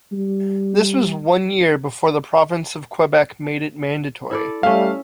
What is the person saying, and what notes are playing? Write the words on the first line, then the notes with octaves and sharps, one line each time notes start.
This was one year before the province of Quebec made it mandatory.
G3
E4 A4 D5
G3 A3 C#4 E5 F5